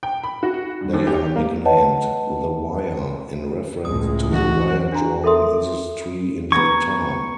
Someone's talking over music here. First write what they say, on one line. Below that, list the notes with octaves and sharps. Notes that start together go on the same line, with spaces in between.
They are nicknamed "The Wire" in reference to the wire-drawing industry in the town.
G5
B5
F#4
G2
D#2
G4
A#3
B4 C#5 D#5 F#5 A5
C#2 A2 G#3 D#6
E3 F#4
D4 F#4 A#5
A4 A#4 E5 C6 D#6
B3 A#5 C#6 G#6